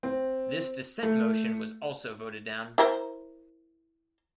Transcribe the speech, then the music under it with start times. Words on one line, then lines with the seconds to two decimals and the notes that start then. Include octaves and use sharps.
This dissent motion was also voted down.
0.03 C4
1.03 A3
2.78 E4 A#4 C5